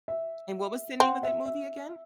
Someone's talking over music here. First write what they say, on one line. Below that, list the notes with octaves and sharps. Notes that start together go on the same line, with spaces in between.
And what was the name of that movie again?
E5
C4 F#5
E5
E5